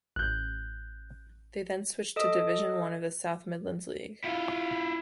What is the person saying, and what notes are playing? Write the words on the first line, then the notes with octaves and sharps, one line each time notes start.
They then switched to Division One of the South Midlands League.
A1 F#6 G6
A4 D#5 D#6
E4 F4